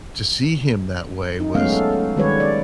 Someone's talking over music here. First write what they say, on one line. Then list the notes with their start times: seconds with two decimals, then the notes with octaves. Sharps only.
to see him that way was
1.40 D#4
1.55 F#3 G#3 A3 B3 C#4 F5
1.72 A4
2.16 D#3 G3 G#3 G4 B4 C#5
2.40 D5